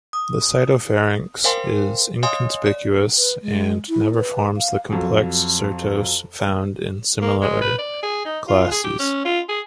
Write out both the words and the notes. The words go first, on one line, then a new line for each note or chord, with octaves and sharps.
The cytopharynx is inconspicuous and never forms the complex cyrtos found in similar classes.
D#6
A#4 C5 F5 G5 G#5 C6
C#5 D#5 F5 G#5 C6 D#6
D5
B4
G#3
E4
B4
F5
F2 F#3
A#3
G#3
B4
D5
G#4
D#4
F4
G#4
G4
C#4
F4
G#4